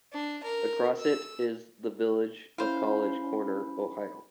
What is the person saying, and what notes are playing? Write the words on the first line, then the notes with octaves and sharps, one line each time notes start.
Across it is the village of College Corner, Ohio.
D4
A#4
E6
C#4 E4 C5 F5 B5